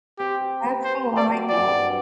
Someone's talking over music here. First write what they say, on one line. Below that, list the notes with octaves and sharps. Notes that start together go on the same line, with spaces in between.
That's cool, I like that.
C4 G4
G4
B4
G4 C5
C4
D5
F#3
F#3 D5
G2